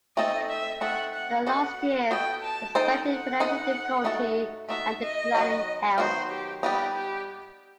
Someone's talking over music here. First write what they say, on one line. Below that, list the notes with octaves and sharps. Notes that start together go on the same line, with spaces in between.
Her last years were spent in financial difficulty and declining health.
A3 C4 D#4 A4 D#5
E5
A3 C4 D#4 A4 F#5
F#5
B3 F#4 A4 D#5 F#5
B3 F#4 A4 D#5 G5
A5
D#4 A4 C5 D#5 G5
F#5
D#4 A4 C5 D#5
A3 D#4 F#4 A4
A3 D#4 F#4 A4 E5
D#5
D#3 F#3 B3 F#4
D#3 F#3 B3 F#4 C5
G4
G3 B3 D#4 G4
G4